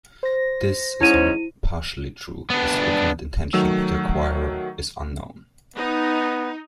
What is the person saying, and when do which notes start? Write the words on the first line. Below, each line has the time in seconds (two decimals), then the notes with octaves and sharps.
This is only partially true as the ultimate intention of the acquirer is unknown.
0.23 C5 A#6
1.01 G#2 C#4 E4 D#7
2.50 B3 D4
3.53 D#3 F#3 A3 E6
5.76 B3 D#4